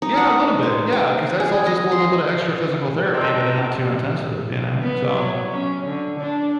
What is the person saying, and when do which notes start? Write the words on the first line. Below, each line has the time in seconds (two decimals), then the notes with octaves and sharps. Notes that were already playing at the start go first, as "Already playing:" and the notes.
Yeah a little bit, yeah, 'cause that's all just a little bit of extra physical therapy, but a not too intensive, you know? So,
0.02 D#4
0.17 F#5
0.63 C5
0.92 G5
1.40 G#4
1.66 D#5
1.92 C6
3.14 C4 A4 C5 D5 D#5 G5 A5 A#5
4.82 B3
5.14 F#3
5.50 C#4
5.85 D3
6.20 D4